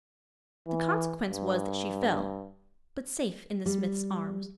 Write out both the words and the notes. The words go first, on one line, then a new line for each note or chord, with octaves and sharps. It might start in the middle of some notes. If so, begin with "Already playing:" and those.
The consequence was that she fell--but safe in the smith's arms.
E3
G2
G3